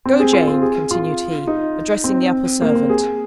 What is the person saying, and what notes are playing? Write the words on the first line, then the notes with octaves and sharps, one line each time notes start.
Go Jane!' continued he, addressing the upper-servant.
C4
G#4
F4
C4
G#4
F4
D#4
C4
A#3
C4
G#4